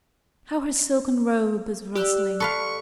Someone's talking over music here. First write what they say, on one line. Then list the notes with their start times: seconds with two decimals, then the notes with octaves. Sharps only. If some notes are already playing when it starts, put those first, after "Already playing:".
How her silken robe is rustling!
1.95 G4 D5 E6 F#6
2.40 A4 B4 F5 C#6